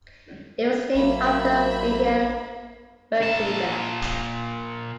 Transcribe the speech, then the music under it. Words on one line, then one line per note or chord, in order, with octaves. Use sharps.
It was named after Wilhelm Wirtinger.
A1 F#3 A#3 E5 B5
A#2 A5